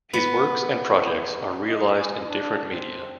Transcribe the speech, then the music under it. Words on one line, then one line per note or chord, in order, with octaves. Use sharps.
His works and projects are realized in different media.
B3
D#5
G#5
D4
C4